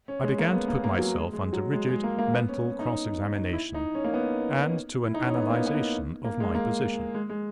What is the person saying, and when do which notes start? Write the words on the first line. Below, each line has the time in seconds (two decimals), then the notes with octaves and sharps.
I began to put myself under rigid mental cross-examination, and to an analyzation of my position.
0.08 C#4
0.23 G#3
0.38 A#3
0.53 B3
0.68 A#3
0.84 A#3
0.98 F#3
1.14 G#3
1.33 G#3
1.53 F#3
1.73 G#3
1.88 G#3
2.03 A#3
2.19 A#3
2.34 B3
2.48 C#4
2.79 D#4
3.53 E4
3.74 D#4
3.95 C#4
4.04 A#3
4.14 B3
5.05 E4
5.14 D#4
5.24 C#4
5.34 B3
5.50 A#3
5.54 B3
5.66 B3
5.75 A#3
6.24 A#3
6.40 G#3
6.54 A#3
7.14 G#3
7.30 G#3